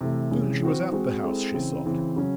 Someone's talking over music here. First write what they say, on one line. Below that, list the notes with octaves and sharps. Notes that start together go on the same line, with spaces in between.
Soon she was at the house she sought.
C3 E3 A3
C3 E3 G#3 C#4
E3 C4 F#4 C5
G#3 C4 F#4
G#3 C4 E4 A4
C#3 E3 C4
C#3 E3 C4
C#3 F#3 C#4